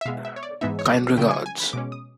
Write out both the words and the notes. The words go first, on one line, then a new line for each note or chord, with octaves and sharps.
Kind regards.
E5
B2 G#3 B3 F5
E5
C#5
D5
G#2 E3 G#3 B3 D#4 E5
C#5
D5
C#3 F3 G#3 G5
G#5
G#5
B5
B2 G#3 C#4 D6
D#6